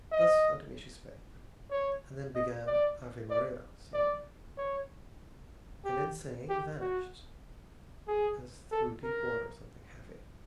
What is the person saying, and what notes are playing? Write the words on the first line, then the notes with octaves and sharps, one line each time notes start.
Thus unto me she spake, and then began "Ave Maria" singing, and in singing Vanished, as through deep water something heavy.
D#5
C#5
D#5
D5
D5
D5
C#5
G4
G4
F#4
G#4
A4
A#4